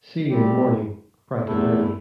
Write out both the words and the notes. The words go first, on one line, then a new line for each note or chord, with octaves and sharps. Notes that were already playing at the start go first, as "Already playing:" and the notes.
See you in the morning, bright and early.
A2 G3 C4 G4
E2 C3 A3 E4 A4